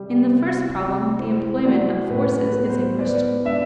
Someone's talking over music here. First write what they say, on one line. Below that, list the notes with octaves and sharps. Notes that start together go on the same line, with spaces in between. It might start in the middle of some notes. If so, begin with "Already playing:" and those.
In the first problem the employment of forces is in question.
Already playing: C3 G3
C3
C3
E4 C5
F#3 D5
A2 B4
B4
B3
C5
B3 D5
D4 E5